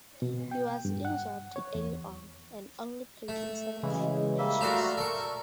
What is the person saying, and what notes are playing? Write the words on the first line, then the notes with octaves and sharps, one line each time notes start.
He was injured early on, and only played in seven league matches.
B2
G5
G2
F#5
C#5
E2
A3
C#3 E3 G#3
G3 A#3 E5
A3 F#4 C5 D5 F5 A#5
A4 A#4 D5 C#6 E6